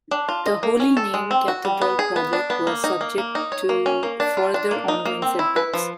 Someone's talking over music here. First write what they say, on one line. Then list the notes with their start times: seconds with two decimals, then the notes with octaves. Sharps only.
The Holy Name Cathedral project was subject to further ongoing setbacks.
0.11 D4
0.29 F4
0.46 D#5
0.63 A#3
0.80 C#4
0.97 A4
1.14 G#3
1.31 C4
1.48 F#4
1.65 G3
1.82 B3
1.99 G#4
2.16 B3
2.33 D4
2.50 B3
2.67 A#3
2.84 D#4
3.01 A#3
3.18 A#3
3.35 D#4
3.52 C#5
3.69 A#3
3.86 C#4
4.03 A#3
4.20 D4
4.37 F4
4.54 D4
4.71 A#3
4.88 D#4
5.05 A#3
5.22 C4
5.39 E4
5.56 B4
5.74 F3